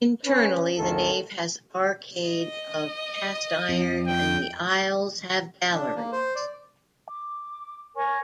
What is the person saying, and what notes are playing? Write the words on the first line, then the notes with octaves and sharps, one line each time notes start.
Internally the nave has arcades of cast iron and the aisles have galleries.
C#4 B4
G#1 D2 D#3 A4
D#5
F2
G5
D4
A#3
C5
D5
D6
A#4 C#5 G#5 C#6